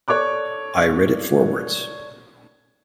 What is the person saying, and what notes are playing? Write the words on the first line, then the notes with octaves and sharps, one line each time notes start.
I read it forwards.
A4 C#5 D5 D6 F#6